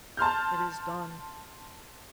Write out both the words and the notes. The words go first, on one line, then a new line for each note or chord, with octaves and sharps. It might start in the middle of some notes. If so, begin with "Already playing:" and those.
It is done.
A5 C6 F6 G6